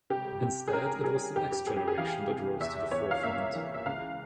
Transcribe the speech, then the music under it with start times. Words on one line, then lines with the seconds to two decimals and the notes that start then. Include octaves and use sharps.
Instead it was the next generation that rose to the forefront.
0.10 C3 G4
0.41 C3
0.68 G#4
0.73 C#4 A#4
1.04 G3 G#4
1.35 F2 G4
1.52 G4
1.66 F2 G#4
1.76 G4
1.88 G#4
1.98 E3 F5
2.29 C3
2.60 E2 E5
2.91 E2 C#5
3.11 F5
3.23 A#3 E5
3.55 E3
3.74 E5
3.86 C#2 F5